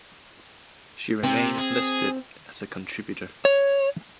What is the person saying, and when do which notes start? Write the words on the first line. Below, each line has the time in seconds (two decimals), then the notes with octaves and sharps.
She remains listed as a contributor.
1.23 C3 C4
1.59 G#4
3.45 C#5